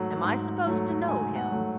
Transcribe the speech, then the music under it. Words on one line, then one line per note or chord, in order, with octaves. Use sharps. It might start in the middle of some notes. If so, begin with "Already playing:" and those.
"Am I supposed to know him?"
Already playing: G#2 F#3 A3 F#5
G#2
F#3 A3
G#2 G#5
F#5
F#3 A3